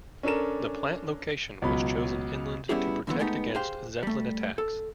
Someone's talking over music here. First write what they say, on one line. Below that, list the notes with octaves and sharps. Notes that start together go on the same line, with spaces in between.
The plant location was chosen inland to protect against Zeppelin attacks.
C#4 D4 A4 A#4 E7
C#2 B2 F#3 B5
G3 B3 C#4 E4 G4 G#4
G2 D3 E3 F#3 B3 C#4
G#3 A3 B3 D#4 G4
G4 G#4 C5 F5 G5
G3 A3
A4